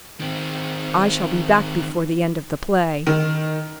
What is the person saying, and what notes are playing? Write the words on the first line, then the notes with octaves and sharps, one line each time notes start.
I shall be back before the end of the play.
D#3 C4
D#3